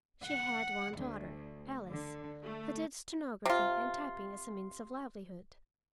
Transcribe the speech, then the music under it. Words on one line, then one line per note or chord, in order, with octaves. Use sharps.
She had one daughter, Alice, who did stenography and typing as a means of livelihood.
F#5
D2
D3
A3
C3 F4